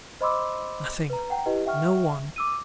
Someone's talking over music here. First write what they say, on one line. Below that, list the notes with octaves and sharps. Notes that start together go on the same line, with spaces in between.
Nothing--no one!
C5 D#5 B5 C6 D6 E6
B4 A#5
F#5 G5 A#5
E4 G4 B4 D#5
E5 F#5 G5 C#6 F6
D6 E6 D#7